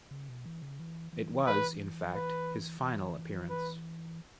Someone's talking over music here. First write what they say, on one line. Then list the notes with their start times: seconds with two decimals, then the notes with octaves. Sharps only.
It was, in fact, his final appearance.
0.11 C#3
0.29 B2
0.45 E3
0.62 C#3
0.80 E3
1.13 E3
1.46 E3 B4
2.15 B4
2.82 E3
3.50 B4